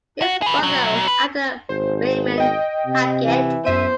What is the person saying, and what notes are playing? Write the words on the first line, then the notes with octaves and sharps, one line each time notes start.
His brother was actor Raymond Hackett.
F#4
G#4 B4
B1 F#3
B4
G#1 C5
D#5 G5
C3
E3
F#2 B3 C5 E5 D#7